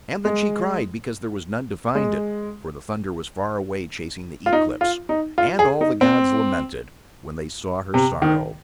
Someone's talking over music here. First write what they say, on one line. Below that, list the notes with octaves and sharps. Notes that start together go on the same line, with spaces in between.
And then she cried because there was none to find it, for the thunder was far away chasing the Eclipse, and all the gods lamented when They saw her sorrow.
G#3
G#3
F4
D#4
F4
D#4
F4
G#4
D#4
C4
C3
D#3